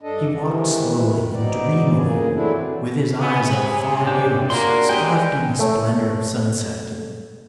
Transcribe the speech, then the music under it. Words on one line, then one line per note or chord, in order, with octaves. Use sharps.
He walked slowly and dreamily, with his eyes on the far hills scarfed in the splendour of sunset.
G2 D4 A4 D#5
G#2 C3 D#3 E3
G#2 B2 F#3 D#4 D5
D2 A#2 C#3 G#4
E3 F#3 A3 C4 D4 E4
B3 G#4
C3 C4 C#5 B5
D4 G4
A#3 D4 F#4 G#4 A#4 C6
G3 G#3 D#4 B4 G5 G#5
A3 C#5